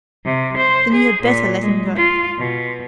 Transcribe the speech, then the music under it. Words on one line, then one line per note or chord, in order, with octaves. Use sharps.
"Then you had better let him go."
C3
C5
G#4
A#2
G#3
F4
B2